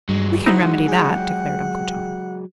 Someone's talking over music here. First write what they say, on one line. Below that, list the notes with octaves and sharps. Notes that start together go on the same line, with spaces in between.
"We can remedy that," declared Uncle John.
G2 F#3 G#3
D#4 E4 C5 F#5
G#4 G5